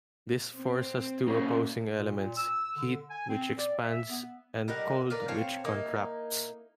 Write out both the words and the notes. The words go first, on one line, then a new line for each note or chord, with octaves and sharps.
This force has two opposing elements: heat, which expands, and cold, which contracts.
C4
C#3 A#3
A#2
A#2
E6
D3
G#5
C4
D5
E5
B3
G3 D#4 A#4 F#5
A#4 B4 D5 F5
C4 C#5 F5 A5
A#3 D#4 E4